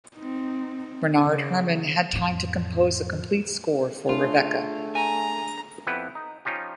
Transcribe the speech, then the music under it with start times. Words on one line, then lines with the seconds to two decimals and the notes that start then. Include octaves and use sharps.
Bernard Herrmann had time to compose a complete score for "Rebecca".
0.17 C4 D#4
1.26 C#3
2.13 F2 A2
4.09 A3 D4 F4 G#4 C#5
4.95 G#5 A#5
5.87 F2 B3 E4 G4 B4 F#5
6.15 D#4
6.45 F3 C#4 D#4 F4 G4